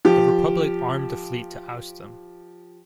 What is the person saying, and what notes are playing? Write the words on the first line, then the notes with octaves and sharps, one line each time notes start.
The Republic armed a fleet to oust them.
F3 G4